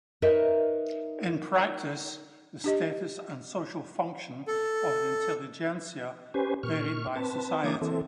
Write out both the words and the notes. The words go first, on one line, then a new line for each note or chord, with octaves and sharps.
In practice, the status and social function of the intelligentsia varied by society.
D#4 A#4 B4 C#5 D#5 E5
D4 G4 D#5
A4
C#4 G4 B4 C5 G#5
A#2 C#6 F6
C4 B4 A5
E3 A#3 D4 D6 D#6 G#6
E3 C4 A4